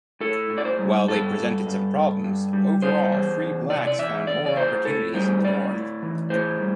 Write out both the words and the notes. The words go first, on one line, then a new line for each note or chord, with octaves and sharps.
While they presented some problems, overall free blacks found more opportunities in the North.
A2 A4
A2
D5
C5
G3
G2 A4
G2
G2
G2
G2
G3
G3 C5
E2
E2
C3 D5
D5
E2 E5
E2 D5
D5
A2 C5
A2 A4
G3 C5
A2 D5
A2
E3
A2 C5
G3